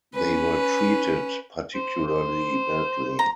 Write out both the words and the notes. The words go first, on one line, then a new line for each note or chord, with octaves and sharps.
They were treated particularly badly.
C#4 B4
C5
C5
A#5